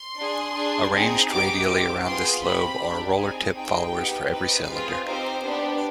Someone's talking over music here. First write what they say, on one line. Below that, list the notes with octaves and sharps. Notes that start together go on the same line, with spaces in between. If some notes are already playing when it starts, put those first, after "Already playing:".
Arranged radially around this lobe are roller tip followers for every cylinder.
Already playing: C6
D4 G#4
D4 G#4
C4 D#4 G#4
B3 D#4 G4 D6
C4 G4 D6
B3 F4 G#4 C6
C4 G4 B5
D4 G4
C4 D#4 G#4 G#5
C4 D#4 G#4 G5
B3 D#4 G4
C4 D#4 G4 B4
C4 F4 G#4
C4 D#4 G4 C5
B3 D4 G4